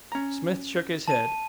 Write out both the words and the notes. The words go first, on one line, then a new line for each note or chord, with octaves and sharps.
Smith shook his head.
C#4 A#5
A5 D#7